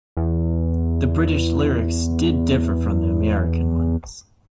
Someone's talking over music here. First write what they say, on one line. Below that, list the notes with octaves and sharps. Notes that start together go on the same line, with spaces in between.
The British lyrics did differ from the American ones.
E2